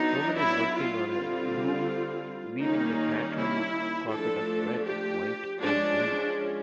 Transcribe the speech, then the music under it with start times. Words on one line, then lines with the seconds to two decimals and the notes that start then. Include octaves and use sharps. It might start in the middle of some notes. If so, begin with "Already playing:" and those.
Woman is working on a loom weaving a patterned carpet of red, white, and blue.
Already playing: F#3 B3 D4 D#4
0.39 E4
0.76 F4
1.13 D3 G3 C4 F4
2.62 D#3 G3 A#3 C#4 D#4
3.36 E4
4.11 F3 A3 D4 A4
4.85 G4
5.59 F3 G#3 C#4 D4